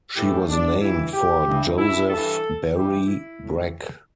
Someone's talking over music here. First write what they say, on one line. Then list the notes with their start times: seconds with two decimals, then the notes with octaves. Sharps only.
She was named for Joseph Berry Breck.
0.16 A2 E3 G4
0.49 D4
0.81 G2 E3 E4
1.14 G4
1.46 G2 E3
1.78 E4
2.10 G2 E3 A4
2.76 G2 E3 G4
3.08 E4
3.40 A2 E3